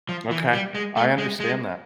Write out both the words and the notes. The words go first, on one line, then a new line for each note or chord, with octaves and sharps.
Okay. I understand that.
F3
E3
G3
G#3
A3
G#3
G#3